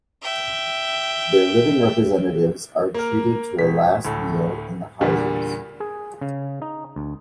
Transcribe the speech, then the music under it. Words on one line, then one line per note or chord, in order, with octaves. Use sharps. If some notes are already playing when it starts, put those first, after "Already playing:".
Their living representatives are treated to a last meal in the houses.
E5 G5
A#3 A#4
E1 B6
D2 A2 A4
E2 A#2 D3 G3
G#4
C#3
D#4
D2